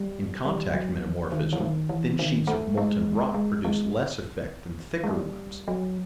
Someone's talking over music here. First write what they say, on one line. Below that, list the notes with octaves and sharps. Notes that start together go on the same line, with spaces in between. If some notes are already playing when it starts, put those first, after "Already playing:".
In contact metamorphism, thin sheets of molten rock produce less effect than thicker ones.
Already playing: G3
G3
F#3
D#3
E3
D#3
E3
D#3
A3
G#3
G#3
G#3
G#3
G3
F#3